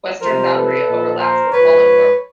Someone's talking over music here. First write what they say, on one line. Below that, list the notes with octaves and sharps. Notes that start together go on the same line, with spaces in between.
Western boundary overlaps with Fallingbrook.
C3 F3 A#4 C5
A4 B4
A#2 F3
A#4 C5
G#2 F3 B4 C#5